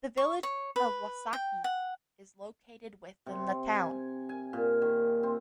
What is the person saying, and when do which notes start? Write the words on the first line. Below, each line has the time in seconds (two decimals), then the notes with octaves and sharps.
The Village of Wausaukee is located within the town.
0.17 C#6
0.43 C#5
0.76 B4
1.33 G5
1.64 F#5
3.26 C3
3.75 G#5
4.29 G#5
4.53 A#2
4.82 D#3
5.23 C4